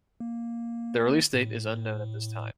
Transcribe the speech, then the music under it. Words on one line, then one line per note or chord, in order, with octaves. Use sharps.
The release date is unknown at this time.
A#3
A2